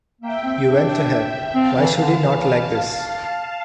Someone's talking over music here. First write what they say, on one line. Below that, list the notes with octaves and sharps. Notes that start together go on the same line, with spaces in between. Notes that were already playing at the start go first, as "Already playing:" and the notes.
You went to help. Why should he not like this?
A#3 E5 G5
C4
D4
C4 F5 A5
E3
D3
E3